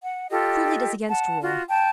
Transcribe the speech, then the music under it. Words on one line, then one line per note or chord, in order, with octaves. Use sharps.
Truly it is against rule.
F#5
F4 G4 A4 D#5
F#5 A5
F4 F#4
G5 A5